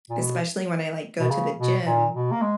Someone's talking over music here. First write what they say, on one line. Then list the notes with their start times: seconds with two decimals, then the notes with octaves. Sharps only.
especially when I like go to the gym,
0.10 A#2
0.19 B2
1.20 B2
1.30 C#3
1.58 B2
1.86 A#2
2.14 B2
2.32 A#3
2.41 G#3